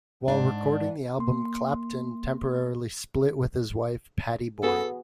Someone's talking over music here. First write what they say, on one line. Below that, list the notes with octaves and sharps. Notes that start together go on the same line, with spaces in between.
While recording the album Clapton temporarily split with his wife Pattie Boyd.
G#2 D4
A#3 C6
B3 F#4 G#4 A4